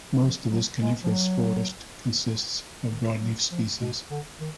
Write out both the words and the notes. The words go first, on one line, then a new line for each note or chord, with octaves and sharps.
Most of this coniferous forest consists of broad leaf species.
F3
F#3
G#3
F3
F#3
D#3
F#3
F3
B2
D3
D#3